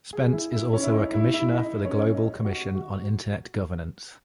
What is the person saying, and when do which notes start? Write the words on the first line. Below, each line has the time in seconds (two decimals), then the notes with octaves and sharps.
Spence is also a Commissioner for the Global Commission on Internet Governance.
0.13 G#4
0.33 E4
0.53 E4
0.73 C#4
0.83 E4
0.94 D#4
1.13 E4
1.34 E4
1.54 D#4
1.85 C#4
2.15 D#4
2.45 F#4
2.75 F#4